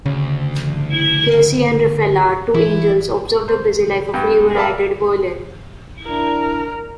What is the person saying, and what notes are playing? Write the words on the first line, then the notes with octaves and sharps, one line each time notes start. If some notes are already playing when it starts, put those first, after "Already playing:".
Cassiel and Raphaella, two angels, observe the busy life of reunited Berlin.
D2 C#3
E3 E4
C5
G2 B3 G4
A#4 D5 E5 F5 A5
D4 E4 A#4